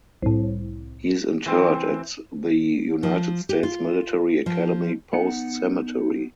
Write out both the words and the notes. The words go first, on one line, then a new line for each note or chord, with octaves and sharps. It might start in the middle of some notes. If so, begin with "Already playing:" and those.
He is interred at the United States Military Academy Post Cemetery.
C2 A2
E3 C4
F3
G4
F4
F3
B3 D#4 F#5